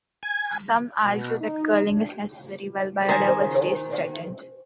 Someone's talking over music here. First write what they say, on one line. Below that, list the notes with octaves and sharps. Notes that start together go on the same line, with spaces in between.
Some argue that culling is necessary when biodiversity is threatened.
G#5
B2
D#4
D4
D#3 C5 G#5